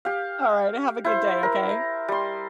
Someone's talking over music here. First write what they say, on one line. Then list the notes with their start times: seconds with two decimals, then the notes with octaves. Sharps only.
Alright. Have a good day, okay?
0.05 G4 F5
1.04 E4 C5
1.43 A#4
2.08 G3 C6